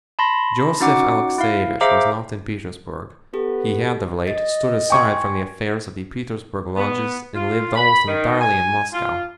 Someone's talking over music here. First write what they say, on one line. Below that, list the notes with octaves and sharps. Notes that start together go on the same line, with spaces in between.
Joseph Alexeevich was not in Petersburg--he had of late stood aside from the affairs of the Petersburg lodges, and lived almost entirely in Moscow.
A5 B5 C6 A#6
C#4 D#4 F#4 F#5 D6
E4 F5
G#4 C5 E5 F5 A#5 D6
B3 G4 A4
D#5 A6
G5 G#5 C6 C#6 G#6
B3
F4
B5
D#3
G#5
F4